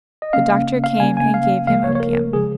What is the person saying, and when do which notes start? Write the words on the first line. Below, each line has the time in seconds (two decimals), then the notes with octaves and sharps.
The doctor came and gave him opium.
0.22 D#5
0.33 C#3 A#3 C#4 F5
0.84 F5
1.00 C#3 A#3 C#4 G#5
1.17 G#5
1.34 F5
1.67 C#2 C#3 F3 A#3 F5
1.84 C#5
1.95 C#5
2.00 A#4
2.33 C#3 F3 G#3 G#4